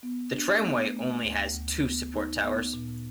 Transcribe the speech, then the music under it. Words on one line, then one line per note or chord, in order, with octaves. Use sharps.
The tramway only has two support towers.
B3
D4
B3
A3
D2
D2
B3
D#4
B3
A#2